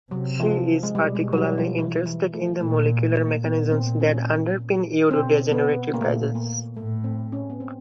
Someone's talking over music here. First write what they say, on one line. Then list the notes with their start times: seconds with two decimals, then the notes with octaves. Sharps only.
She is particularly interested in the molecular mechanisms that underpin neurodegenerative diseases.
0.11 C3 F#3
0.40 F3
0.83 G#3
0.95 B2 G3
1.15 G#3
1.33 F#3
1.37 G3
1.58 F3
1.79 E3
2.06 E3
2.34 A3
2.61 A#2 A3
3.09 A3
3.16 A#3
3.44 A#2 B3
3.71 C4
4.00 C#4
5.11 B2 C4
5.52 B3
5.94 A#2 A#3
6.01 A3
6.09 A#3
6.35 A#3
6.77 A2 A3
7.04 C4
7.32 C#4
7.50 B3
7.60 C4